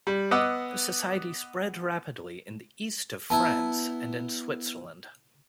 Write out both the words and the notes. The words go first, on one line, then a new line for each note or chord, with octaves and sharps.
The society spread rapidly in the east of France and in Switzerland.
G3
B3 D#5 F#5 D6 E6
B3 E4 A5 A#5